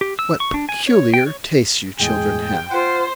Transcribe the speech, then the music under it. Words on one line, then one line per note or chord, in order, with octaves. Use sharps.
"What peculiar tastes you children have!"
G4
E6
C#6
D4
G#5
C#5
G5
C#5
E2 A2 G#3 G#4 G5
F4 C5 F#5